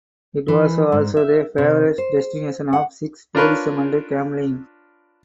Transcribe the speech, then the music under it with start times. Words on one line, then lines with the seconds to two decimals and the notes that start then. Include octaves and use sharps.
It was also the favorite destination of sex tourism and gambling.
0.48 E3
0.92 G#2
1.17 E5
1.58 C3
1.98 C5
2.73 F#5
3.35 D4 F4 A#4 B4 C#5